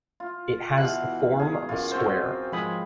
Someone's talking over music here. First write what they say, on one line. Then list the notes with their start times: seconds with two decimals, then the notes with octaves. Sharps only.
It has a form of a square.
0.20 F4
0.77 B2 E3 F5 F#6
1.39 G#4 A#5
1.69 F#2 F4
1.92 C4 F#4 G#4 C5
2.52 G#2 F3 G#5 B5 D#6